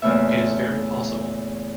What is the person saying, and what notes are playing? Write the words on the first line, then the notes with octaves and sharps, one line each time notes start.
It is very possible.
E2 A#2 C#3 A3 B3 E5